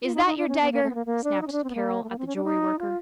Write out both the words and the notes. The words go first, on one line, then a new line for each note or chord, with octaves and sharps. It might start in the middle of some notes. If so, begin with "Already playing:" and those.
"Is that your dagger?" snapped Carroll at the jewelry worker.
F4
D#4
D#4
D4
C#4
B3
A#3
A3
B3
A#3
A#3
D4
D#4
C#4
D4
C4
B3
A#3
A3
A#3
C4
C#4
D4
D#4
F4